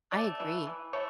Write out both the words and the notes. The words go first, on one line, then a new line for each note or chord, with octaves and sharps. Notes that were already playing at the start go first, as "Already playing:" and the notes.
I agree.
A3 D5
E3
E3
A3 C#5